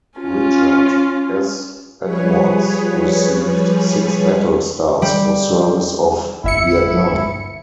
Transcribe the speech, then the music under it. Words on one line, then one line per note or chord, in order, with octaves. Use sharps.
Richard S. Edwards received six battle stars for service off Vietnam.
C#4 F4
F3 G3 G#4 B4 C#5
G3
G1 E4 E5 C#7